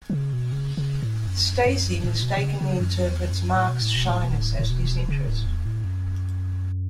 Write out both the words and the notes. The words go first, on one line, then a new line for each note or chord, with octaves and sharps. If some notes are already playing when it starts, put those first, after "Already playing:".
Stacy mistakenly interprets Mark's shyness as disinterest.
E3
C#3
B2
C#3
C#3
A2
F#2
F#2
A2
B2
B2
C#3
C#3
F#2
E2
F#2
A2
B2
A2
B2
A2
B2
A2
A2
B2
C#3
A2
E2
A2
F#2